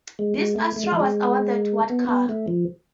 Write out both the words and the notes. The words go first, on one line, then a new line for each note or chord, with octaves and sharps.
This Astra was awarded What Car?
G#3
G#3
A3
A3
G#3
F3
G#3
B3
B3
A3
F3